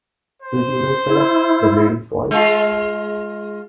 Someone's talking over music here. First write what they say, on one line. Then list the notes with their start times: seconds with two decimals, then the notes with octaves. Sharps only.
Do you recollect the lady's voice?
0.42 C5
1.10 E4
2.31 G#3 F4